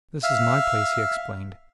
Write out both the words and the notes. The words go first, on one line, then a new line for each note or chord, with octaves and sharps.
"This is my place," he explained.
E5 F5